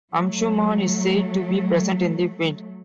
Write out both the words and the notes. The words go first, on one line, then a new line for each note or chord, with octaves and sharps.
Amshuman is said to be present in the Wind.
F#3 A3